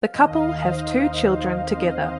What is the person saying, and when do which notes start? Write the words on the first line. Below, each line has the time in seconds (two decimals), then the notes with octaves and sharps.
The couple have two children together.
0.06 F5
0.14 D#3 D#5
0.30 D#2 F5
0.47 D#3 D#5
0.64 D#4 C5
0.80 D#3
0.96 D#3
1.13 D#2 C5
1.29 D#2
1.46 D#3
1.62 C4 D#5
1.78 C4 D#5
1.94 D#4 D#5